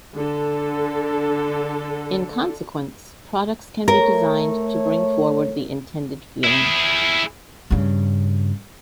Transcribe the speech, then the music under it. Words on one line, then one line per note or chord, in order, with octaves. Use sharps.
In consequence, products can be designed to bring forward the intended feeling.
D3 A4
A3 A#4 C#5
E4 G#4
G2 C#3